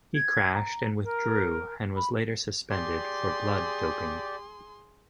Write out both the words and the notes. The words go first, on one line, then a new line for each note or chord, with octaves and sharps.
He crashed and withdrew and was later suspended for blood doping.
G#6
A#5
A#4
B5
G4 G#4 D5 C6